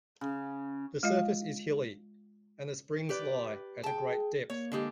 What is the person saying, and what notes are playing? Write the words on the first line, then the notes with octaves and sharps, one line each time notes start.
The surface is hilly, and the springs lie at a great depth.
C#3
G#3 F4 D#5 F5
G4 B4 D5
G#4 G5 A5
A#3 C#5
D3 G#3 G4